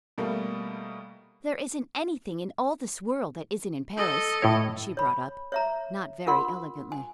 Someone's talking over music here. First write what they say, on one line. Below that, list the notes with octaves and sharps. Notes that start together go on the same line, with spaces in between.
"There isn't anything in all this world that isn't in Paris," she brought up, not very elegantly.
B2 G3 A3 A#3
A4 D#5
A2 E4 C#5
C#5 B5
C#5 E5 A#5
D4 F4 A#4 F#5 B5 C6
G#5